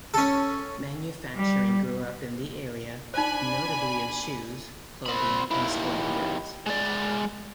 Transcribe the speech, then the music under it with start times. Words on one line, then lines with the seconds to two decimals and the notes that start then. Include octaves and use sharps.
Manufacturing grew up in the area, notably of shoes, clothing, and sporting goods.
0.14 C#4 A4
1.35 G3
3.14 D4 D#4 C5 G#5 B5
5.06 C4 B5
5.51 D#2 E4
6.66 G#3 D5